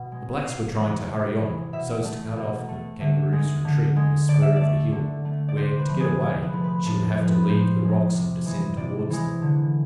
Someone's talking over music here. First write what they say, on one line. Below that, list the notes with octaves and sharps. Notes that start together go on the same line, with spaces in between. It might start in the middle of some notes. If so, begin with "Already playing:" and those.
The Blacks were trying to hurry on, so as to cut off the Kangaroo's retreat at a spur of the hill, where, to get away, she would have to leave the rocks and descend towards them.
Already playing: B2
G#3
C3 F5
E3 G#3
C3
E3 G#3
B2 E5
A3
B2
A3
D3 E5
G#3
D3
G#3
D3 D5
E5
D5
A3
D3
A3
D5
C3 C5
B4
F3 A3
G#4
C3 G#4
B4
F3 A3
B4
A2 A4
A4
F3 G#3
B4
A2 C5
F3 G#3
C3
E3 G#3
C3 D5
E3 G#3
D3